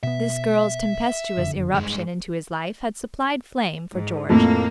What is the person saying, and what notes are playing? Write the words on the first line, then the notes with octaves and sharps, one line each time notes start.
This girl's tempestuous irruption into his life had supplied flame for George.
B2 B3 E5
F#1 F2 D3
G2 G#3
G#2
F2 A2 A#3